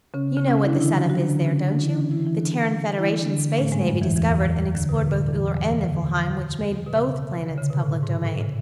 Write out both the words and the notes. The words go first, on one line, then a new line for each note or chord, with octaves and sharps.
You know what the setup is, there, don't you? The Terran Federation Space Navy discovered and explored both Uller and Niflheim, which made both planets public domain.
C#3 C#4
C#3 C#4
C#3 C#4
C#3 C#4
E4
D3 D4
E3 E4
F#3 F#4
F#3 F#4
D3 D4
C#3 C#4
D3 D4
E3 E4
C#3 C#4
E3 E4
E3 E4
D3 D4
E3 E4
D3 D4
A2 A3
G#2 G#3
F#2 F#3
E2 E3
E2 E3
D2 D3
B2
A2
B2
E2 E3
F#2 F#3
E2 E3
C#3
D2 D3
E2 E3
B2
C#3
D3
C#3
B2
A2
G#2
A2
C#3